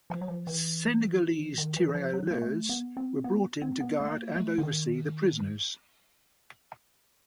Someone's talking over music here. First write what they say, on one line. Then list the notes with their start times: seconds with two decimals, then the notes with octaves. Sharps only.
Senegalese Tirailleurs were brought in to guard and oversee the prisoners.
0.10 F3
0.21 F#3
0.28 F3
0.47 E3
1.58 D#3
1.76 E3
1.95 F3
2.13 F#3
2.31 A#3
2.42 A3
2.69 B3
2.97 C4
3.24 B3
3.62 C4
3.80 B3
4.00 A3
4.08 A#3
4.36 A3
4.58 D3
4.63 D#3